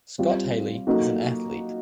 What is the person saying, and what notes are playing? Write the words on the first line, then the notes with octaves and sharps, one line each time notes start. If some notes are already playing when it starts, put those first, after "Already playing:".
Scott Haley is an athlete.
G3 C4 F4
F#3 A#3 D#4 F#4 A4